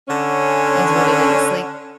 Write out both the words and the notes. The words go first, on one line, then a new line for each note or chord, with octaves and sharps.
is what it is, like,
D3 C#4